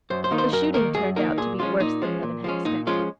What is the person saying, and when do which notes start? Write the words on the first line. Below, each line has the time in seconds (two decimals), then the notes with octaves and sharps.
The shooting turned out to be worse than Levin had expected.
0.10 F#2 C5
0.24 C5
0.31 D#3 A#3 D#4
0.38 C5
0.52 F#2 A#4
0.74 D#3 A#3 D#4 A#4
0.95 F#2 G#4
1.16 D#3 A#3 D#4 A#4
1.38 A#2 G#4
1.59 F3 G#3 C#4 F4
1.80 A#2 D#4
2.02 F3 G#3 C#4
2.23 A#2
2.44 F3 G#3 C#4
2.65 A#2 D#4
2.87 F3 G#3 C#4 F4